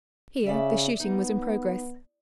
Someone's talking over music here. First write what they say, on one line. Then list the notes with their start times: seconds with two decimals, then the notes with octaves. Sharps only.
Here the shooting was in progress.
0.46 C#3 D5 E5
1.00 B3 D#4